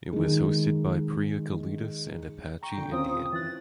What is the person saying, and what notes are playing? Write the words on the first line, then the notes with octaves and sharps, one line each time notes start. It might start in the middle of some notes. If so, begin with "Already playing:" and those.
It was hosted by Preeya Kalidas and Apache Indian.
D#3 G#3
G5 A#5 C#6
D3
C4 C#4 F4 D#6
E3 F#6 A6